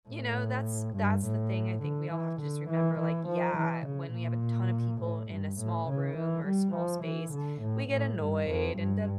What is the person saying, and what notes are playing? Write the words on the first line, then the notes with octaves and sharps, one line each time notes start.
you know, that's that's the thing I think we all have to just remember, like, yeah, when we have a ton of people in a small room or a small space, we get annoyed and
A2
G2
A2
D3
E3
D3
E3
E3
F3
E3
C#3
A#2
A2
G2
A2
C#3
E3
G3
F3
E3
D3
A2
A2
G2
F2
G2